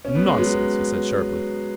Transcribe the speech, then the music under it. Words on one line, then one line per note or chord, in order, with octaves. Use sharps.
"Nonsense," he said, sharply.
C#4
B3
G#3
F#3 B3